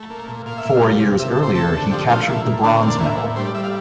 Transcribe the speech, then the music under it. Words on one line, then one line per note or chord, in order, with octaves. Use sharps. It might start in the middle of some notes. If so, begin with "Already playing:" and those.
Four years earlier he captured the bronze medal.
Already playing: A3
A#3
A#2
A#2 F5
E5
A#2 F5
G3
C3
C3 E5
A4
C3
C5
A3 A4
D3
F3 G4
A3 F4
A#3 E4
A#3
D3 D4
C4
A#3
D4
A2 E4
A2
G3 C5
D5
G3 E5
F5